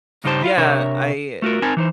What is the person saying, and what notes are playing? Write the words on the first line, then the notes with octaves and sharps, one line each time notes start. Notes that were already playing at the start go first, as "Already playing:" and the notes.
Yeah, I
G2 C#3 D#4 G4 C5 A5
E4 F4 F5
C3 D4 A#4 C#5 E5
A3 F4 F#4 A#4
C4 D#4 A#4 G#5 A5
E3 D#4 C5